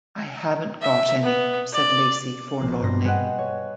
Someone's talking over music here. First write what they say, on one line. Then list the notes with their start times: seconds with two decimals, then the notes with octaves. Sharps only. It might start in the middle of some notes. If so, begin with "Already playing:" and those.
"I haven't got any," said Lacey forlornly.
0.82 E5
1.23 B3
1.73 D5
2.57 A#1 A#3 C5 A#6
2.81 G2 B2 C4 C5 D5 A#6
3.04 G3 G#4 B4 C5 D#5 F#5
3.38 C#5